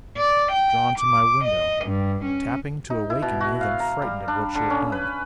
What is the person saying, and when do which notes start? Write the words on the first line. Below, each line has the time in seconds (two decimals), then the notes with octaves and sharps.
Drawn to my window; tapping to awaken me, then frightened at what she had done.
0.17 D5
0.52 G5
0.98 D6
1.45 D#5
1.86 G2
2.24 C#4
2.90 D#4
3.10 E4
3.22 B2
3.40 F#4
3.61 F5
3.80 A#5
4.02 G3
4.28 D4
4.55 D3
4.70 C#4
4.92 B4